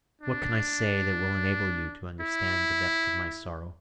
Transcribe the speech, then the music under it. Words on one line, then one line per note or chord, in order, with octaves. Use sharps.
What can I say that will enable you to understand the depth of my sorrow?
D4
E4